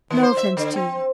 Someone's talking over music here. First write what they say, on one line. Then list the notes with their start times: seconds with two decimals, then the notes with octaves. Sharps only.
No offence to you.
0.10 D#3
0.23 C5
0.37 E5
0.57 D3
0.76 C4